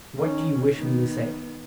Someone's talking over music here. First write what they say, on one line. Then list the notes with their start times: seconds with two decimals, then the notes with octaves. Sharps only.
"What do you wish me to say?"
0.16 D#3 C#4
0.75 D#3 B3